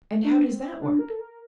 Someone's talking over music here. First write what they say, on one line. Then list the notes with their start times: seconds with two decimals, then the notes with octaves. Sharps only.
"And how does that work?"
0.24 D4
0.44 C4
0.62 C4
0.75 E4
0.82 D4
0.99 A#4
1.10 A4
1.19 A#4